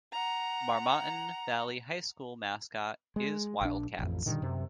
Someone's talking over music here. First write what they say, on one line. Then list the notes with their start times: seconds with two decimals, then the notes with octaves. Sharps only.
Marmaton Valley High School mascot is Wildcats.
0.12 F#5 A#5
3.16 G#3
3.61 A#1 D4
3.99 A1 F2
4.26 G2 A#2 D3 D#3
4.42 F#2 C3